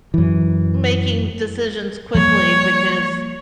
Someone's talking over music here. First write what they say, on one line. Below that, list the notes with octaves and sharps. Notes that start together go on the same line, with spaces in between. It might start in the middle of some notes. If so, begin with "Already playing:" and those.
making decisions quickly because,
F#2 E3
F3 G3 A#3 C#5